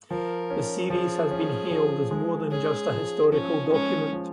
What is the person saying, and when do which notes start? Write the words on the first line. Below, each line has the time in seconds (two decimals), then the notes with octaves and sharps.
The series has been hailed as more than just a historical document.
0.10 F3 A#4
0.50 C#4
0.90 F3 G#4
1.31 C#4
1.71 F3
2.11 G#3
2.51 C#4 G#4
2.91 F3
3.32 F3 C#4
3.72 G#3 C#4
4.12 F3